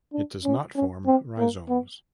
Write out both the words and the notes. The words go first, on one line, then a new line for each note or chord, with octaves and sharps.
It does not form rhizomes.
D4
C#4
C#4
C4
A#3
B3